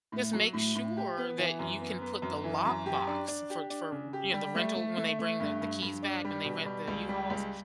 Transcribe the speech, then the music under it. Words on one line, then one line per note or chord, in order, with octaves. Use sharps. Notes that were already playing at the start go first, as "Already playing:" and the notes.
Just make sure that you can put the lockbox for for, you know, the rental when they bring the the keys back and they rent the U-Hauls,
A2
F#3
A2
A2
G4
B3
E3
F#2
B3
B3
F#2
E3
F#2
G4
D4
D4
G4
D4
C#3
G4
G3
A3
A3
A3
A3
G2
G2
G2
D4
G3
B2
G3
C#2
G3
C#2